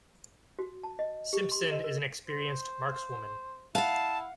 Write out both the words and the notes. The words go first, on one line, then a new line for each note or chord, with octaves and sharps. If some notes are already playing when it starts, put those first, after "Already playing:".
Simpson is an experienced markswoman.
F#4
A5
D#5
G4
C6
D#5
A#4
C5
E4 F5 F#5 A5